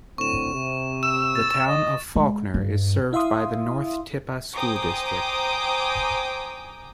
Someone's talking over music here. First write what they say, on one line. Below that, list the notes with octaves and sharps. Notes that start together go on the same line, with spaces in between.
The Town of Falkner is served by the North Tippah School District.
A2 D3 C4 C#6 E7
C3
E6 E7
A6
D#5
G#3
G2
E4 E5 F5 C6 D#6
C5 G5 G#5 A#5 D6 D#6